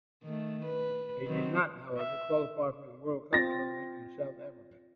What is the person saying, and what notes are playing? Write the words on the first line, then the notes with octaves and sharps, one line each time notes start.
They did not, however, qualify for the World Cup tournament in South Africa.
D#3 A3
B4
D#3 F#3 C4
E5
C4 F4 A6 A#6